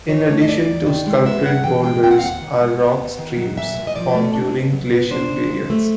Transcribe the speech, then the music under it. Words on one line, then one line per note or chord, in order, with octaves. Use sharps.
In addition to the sculpted boulders are "rock streams" formed during glacial periods.
E3 C#5
A3
D#5
D#2 D5
D#2
D#3
G#3
B3 E5
G2 F#5
E3 G5
G#3 G5
C4 G5
F#5
F5
D#2 F#5
D#3
G#3
B3
D#2
D#3
F#3
A#2 E5
A#2
D#5
F3 D5
A3
D4
B2
F#3
B3
D4 C5
C#3
F#3
A3